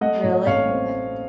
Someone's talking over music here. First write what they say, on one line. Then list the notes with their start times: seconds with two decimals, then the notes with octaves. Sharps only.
Really? Okay.
0.01 A3 D#5 F#5
0.24 A2
0.47 A1 C#5 F5
0.69 C4